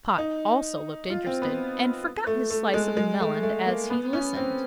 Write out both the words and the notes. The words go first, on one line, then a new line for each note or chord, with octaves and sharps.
Tot also looked interested, and forgot his slice of melon as he listened.
D#4
F4
C4
B3
A3
A3
G#3
G#3
A3
A3
A#3
B3
C#4
C4